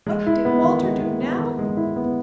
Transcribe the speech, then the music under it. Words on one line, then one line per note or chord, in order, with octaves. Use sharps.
What did Walter do now?
G#3
E4
B3
D#3
G#3
E4
B3
D#3
G#3
E4
B3